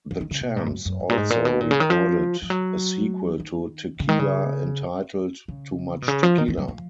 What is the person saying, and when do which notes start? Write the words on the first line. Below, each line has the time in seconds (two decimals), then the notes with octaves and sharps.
The Champs also recorded a sequel to Tequila entitled "Too Much Tequila".
0.11 F3
0.21 D#3
0.31 C#3
0.41 B2
0.56 G#2
0.66 F2
0.70 F#2
0.85 F#2
1.00 G#2
1.09 A#2
1.17 G#2
1.30 A#2
1.45 B2
1.60 A#2
1.71 C#3
1.80 D#3
1.90 F3
2.42 F3
2.50 F#3
3.40 D#3
4.00 C#3
4.09 D#3
4.19 C#3
5.48 C#3
6.02 B2
6.08 C#3
6.23 F3
6.38 D#3
6.48 D#3
6.58 F#3
6.68 F3